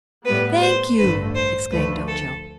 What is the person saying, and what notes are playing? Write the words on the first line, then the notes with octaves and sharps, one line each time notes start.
"Thank you," exclaimed Ojo.
A2 G3 B3 B4
C5
A1 G2 D3 A3 B4
C5
D2 D3 F3 A3 B4
A4